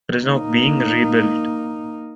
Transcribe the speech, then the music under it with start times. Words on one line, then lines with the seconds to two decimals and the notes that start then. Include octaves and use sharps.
It is now being rebuilt.
0.24 A#3 D#4